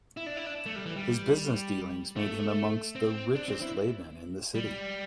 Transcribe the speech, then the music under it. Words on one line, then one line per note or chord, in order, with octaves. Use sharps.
His business dealings made him amongst the richest laymen in the city.
E4
D4
E4
D4
A3
G3
E3
G3
A3
C4
D4
C4
E4
G3